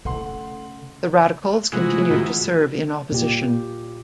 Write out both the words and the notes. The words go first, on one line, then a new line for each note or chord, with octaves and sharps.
The Radicals continued to serve in opposition.
C#3 A3 F#5 C6
C3 E3 G#3 F4 F#4 C5
A3
G#2 D#3 E3 B3 F#4
A#2 G4